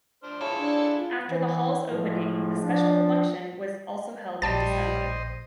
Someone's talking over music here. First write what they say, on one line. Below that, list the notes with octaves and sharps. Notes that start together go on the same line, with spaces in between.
After the Hall's opening, a special election was also held in December.
D4 C5 F6
E4 F4 G#4 A4 C#5
D4
F4
E3
A2 F3 G#3 A3
F3 D4
A#1 A2 G3 C5 D#5 G5 A5 A6